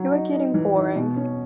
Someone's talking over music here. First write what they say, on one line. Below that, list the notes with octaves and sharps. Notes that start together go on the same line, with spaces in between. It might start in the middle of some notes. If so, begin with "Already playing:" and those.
You're getting boring.
Already playing: F#3
D#4
D#4
E3
D#4
B2
C#4